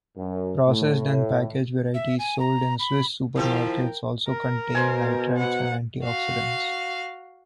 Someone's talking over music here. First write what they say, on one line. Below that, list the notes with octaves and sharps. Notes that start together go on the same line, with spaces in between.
Processed and packaged varieties sold in Swiss supermarkets also contain nitrites and antioxidants.
F#2
A2
E5
G#5
A#5
B5
D#3 F3 C4 E4 G4 A#4 G5
A#4
B2 C5 G#5
F#5
F#4 F5